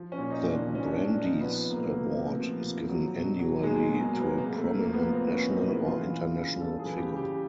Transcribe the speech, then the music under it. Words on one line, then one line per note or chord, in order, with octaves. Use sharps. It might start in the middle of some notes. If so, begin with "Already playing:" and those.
The Brandeis Award is given annually to a prominent national or international figure.
Already playing: F3
C#4
A#2
D#4
A#2
D4
A#2
C#4
D4
A#2
D4
F3
D#4
F3 B3
C3 A#3
A3
C3
C3
F3
C3
F#3
B2
F#3
B2 G#3
B2
A#3
F#3
B3
C3 A#3
A3
C3
A#3
F3
B3
C3 C4
C#4
C3
D#4
C3
E4
E3 F4
E3
C#3
G3 A4
G#4
E3
G4
C#3
G4